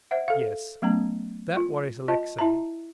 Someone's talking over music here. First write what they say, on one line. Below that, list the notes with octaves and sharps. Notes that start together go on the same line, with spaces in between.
Yes? That worries Alexey.
C5 E5 F#5
A4 F5
F#3 A3 B3 C#4 A#5
F4
F4 D#5 A5
E4 E5 A5 A#5